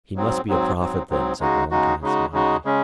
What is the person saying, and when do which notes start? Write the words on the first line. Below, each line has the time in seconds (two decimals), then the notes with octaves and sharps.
"He must be a prophet, then," said Valentine, smiling.
0.16 G#2 F#3 C4
0.47 G#2 F#3 C4
0.78 G#2 F#3 C4
1.09 G#2 F#3 C4
1.40 C#3 G#3 D#4 F#4
1.71 C#3 G#3 D#4 F#4
2.02 C#3 G#3 D#4 F#4
2.32 C#3 G#3 D#4 F#4
2.65 C#3 G#3 C#4